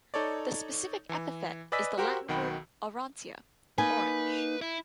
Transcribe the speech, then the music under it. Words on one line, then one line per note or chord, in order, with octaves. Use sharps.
The specific epithet is the Latin word "aurantia" "orange".
D#4 A4 C#5 D5
E3
B4 D5 D#5 G#5 E6 B6
F#4 G4 A#4 C5
B1 D#3 F#4 G5 B5
A#3 D#4 B4 G#5
E4